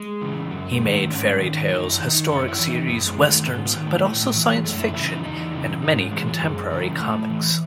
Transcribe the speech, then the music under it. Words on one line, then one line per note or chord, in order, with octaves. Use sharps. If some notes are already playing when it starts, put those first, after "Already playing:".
He made fairytales, historic series, westerns, but also science fiction and many contemporary comics.
Already playing: G#3
C#3 E3
F#2 F#3
G#3
D#3
A3
G#2 C#4
D#3
F#2 D#4
E4
D#3
D#4
F#2 C#4
E4
E3
D#4
F#2 B3
G#3
D#3
A3
G#2 B3
B3
D#3
A3
A2 A3
F#3
E3
G#3
F#2 A3
E4
C#3 E3 E4
D#4
E2 D#4
C#3 E3
G#2 D#4
C#4
E3 G#3
F#3
F#2 G#3
C#3 E3 F#3
A2 A3
E3